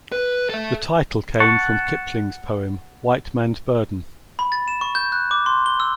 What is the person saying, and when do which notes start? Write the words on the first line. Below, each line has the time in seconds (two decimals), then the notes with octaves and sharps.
The title came from Kipling's poem 'White Man's Burden'.
0.12 B4
0.49 A4 E5
1.40 F#5 A5 C#6
4.39 B5
4.52 A6
4.68 E7
4.81 C#6
4.95 G6
5.12 F#6
5.31 D6
5.46 C6
5.66 G7
5.80 E6